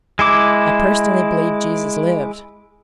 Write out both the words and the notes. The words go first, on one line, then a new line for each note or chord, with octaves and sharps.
I personally believe Jesus lived.
G#3 E4 D6